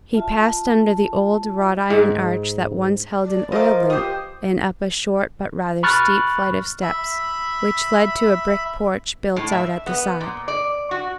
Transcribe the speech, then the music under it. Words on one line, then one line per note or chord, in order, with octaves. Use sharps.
He passed under the old wrought-iron arch that once held an oil-lamp, and up a short but rather steep flight of steps, which led to a brick porch built out at the side.
F4 E5 A5
G#2
D5
F3 A#4 D#5 D6
G4 C5 D#6
B5 C#6 F6 F#6 A6
E5 B5
A2
E5
B3
A#2
D5
F#4